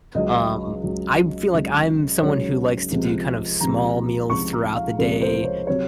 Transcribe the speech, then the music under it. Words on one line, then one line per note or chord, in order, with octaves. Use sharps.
Um, I feel like I'm someone who likes to do, kind of, small meals throughout the day,
C#2 C#3 F#3 D#5
C#2 C#3 F#3
C#2 C#3 F#3
C#2 C#3 F#3 C#5
C#2 C3 F3
C#2 C3 F3 A#5
C#2 C3 F3 C#6
A#5
F5
C#2 C3 F3 A#4
C5
C#5
C3 F#3 C#5